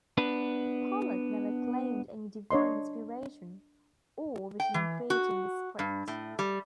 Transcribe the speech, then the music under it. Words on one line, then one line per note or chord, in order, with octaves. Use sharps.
Pollard never claimed any divine inspiration or vision in creating the script.
B3 D4 B4
D4 C#5 D#5 C6
G5
E3
F#4
G2
A2
G3